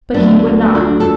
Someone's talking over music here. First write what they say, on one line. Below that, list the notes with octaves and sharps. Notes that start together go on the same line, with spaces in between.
But he would not.
D2 D3 F#3 A3 B3 D4
D4 F#4
A4